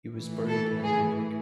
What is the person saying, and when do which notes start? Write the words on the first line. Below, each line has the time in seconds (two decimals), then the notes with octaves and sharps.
He was buried in Munich.
0.12 A2 E3
0.48 A4
0.84 G#4